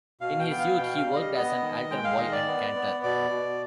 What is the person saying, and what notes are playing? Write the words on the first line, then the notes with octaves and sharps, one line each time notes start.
In his youth he worked as an altar boy and cantor.
B2 F5
G5
B3
F5
B2 G5
F5
G3
D#5
B3 D#5
D#3
G#3 G5
F5
D#3 D#5
D5
B3
B3
B2 D5
B2